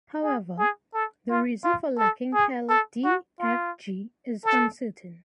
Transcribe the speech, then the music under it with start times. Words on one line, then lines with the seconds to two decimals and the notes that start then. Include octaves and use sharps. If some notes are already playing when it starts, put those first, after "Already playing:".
However, the reason for lacking Hell D, F, G is uncertain.
0.24 G#4
0.59 G#4
0.94 A4
1.30 F4
1.64 F4
1.99 A4
2.34 G#4
2.69 A4
3.04 F#4
3.39 F4
4.45 A4